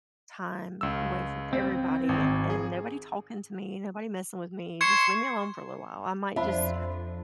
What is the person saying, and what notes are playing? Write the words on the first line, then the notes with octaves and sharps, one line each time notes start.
time away from everybody, and nobody talking to me, nobody messing with me. Just leave me alone for a little while. I might just
C#2 E6
C4
G#1
G#4
C6 C#6 G#6 C#7 E7
F2 D4 F4 C5 E5 B5